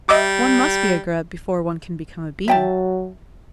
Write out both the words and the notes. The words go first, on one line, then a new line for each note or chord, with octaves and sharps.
One must be a Grub before one can become a Bee.
G3 D#5 E5 D6
F#3 E5 G5 A5